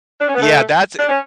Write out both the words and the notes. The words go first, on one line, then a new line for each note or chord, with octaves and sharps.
Yeah, that's, eh
D4
C#4
B3
A3
D4
C#4